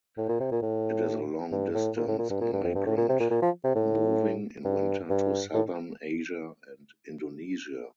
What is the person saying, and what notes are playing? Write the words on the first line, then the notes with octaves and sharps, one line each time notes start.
It is a long-distance migrant moving in winter to southern Asia and Indonesia.
A2
A#2
C3
A#2
A2
G2
A2
A#2
A2
A#2
G2
A#2
G2
F2
G2
A2
A#2
C3
A#2
A#2
F3
C3
A2
G2
G2
A2